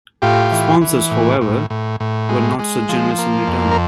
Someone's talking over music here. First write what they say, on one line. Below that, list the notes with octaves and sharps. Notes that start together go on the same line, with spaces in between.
The sponsors however, were not so generous in return.
A2 F4 G4
E3
E3
A2
A2
A2
A2
G#3
G#3
F3
A#3
F2
A#4